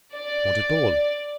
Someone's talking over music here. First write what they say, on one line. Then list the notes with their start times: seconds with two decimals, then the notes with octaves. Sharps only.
"Not at all."
0.15 D5